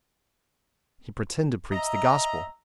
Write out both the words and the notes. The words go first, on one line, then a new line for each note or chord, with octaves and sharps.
He pretend to preach the gospel!
D#5 E5 A#5